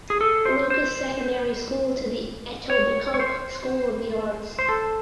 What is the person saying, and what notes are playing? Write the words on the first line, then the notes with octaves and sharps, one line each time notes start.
Lucas Secondary School to the Etobicoke School of the Arts.
G#4
A4
C5
C5
C#5
C#5
C5
C5
A4